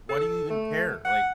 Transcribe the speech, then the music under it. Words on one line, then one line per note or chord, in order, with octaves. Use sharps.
"Why do you even care?" Like,
A4
A3
F#5